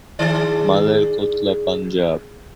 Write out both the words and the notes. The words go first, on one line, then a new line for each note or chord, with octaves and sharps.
Malerkotla Punjab.
D#3 G#4 D5